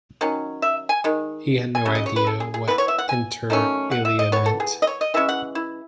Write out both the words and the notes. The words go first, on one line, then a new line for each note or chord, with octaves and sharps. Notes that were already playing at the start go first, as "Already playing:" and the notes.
He had no idea what inter alia meant.
D#3 F#3 C#4
E5
G#5
D#3 G#3
G#5
C#3 F#3
D#5
C#5
B4
A4
G#4
G#4
E3 B3 B4
C#5
E5
F#5
G#5
D#3 F#3 A3 C#4
F#5
E5
D#5
E3 B3 C#5
A4
G#4
D#5
C#5
D#5
E3 G#3 C#4 E5
F#5
E4